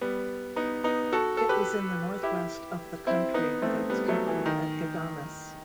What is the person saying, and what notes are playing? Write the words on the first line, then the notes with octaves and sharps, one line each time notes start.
It was in the northwest of the country with its capital at Ghadames.
G3 B3
B3 D#4
B3 D#4
F#4 A4
A4
G4 B4
E4 G4
C4 E4
B3 D#4
A3 C4
G3 B3
F#3 A3
E3
D#3